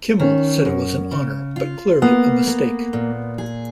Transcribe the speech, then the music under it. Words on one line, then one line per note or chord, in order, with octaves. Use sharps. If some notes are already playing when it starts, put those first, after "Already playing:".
Kimmel said it was an honor but clearly a mistake.
D#3 C#4
F#2
C#3
F4
A#3 B3
A#3
A#2
G#4